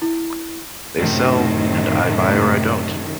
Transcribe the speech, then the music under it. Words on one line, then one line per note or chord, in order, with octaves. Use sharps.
They sell and I buy or I don't.
E4
F#2 A2 C3 D#3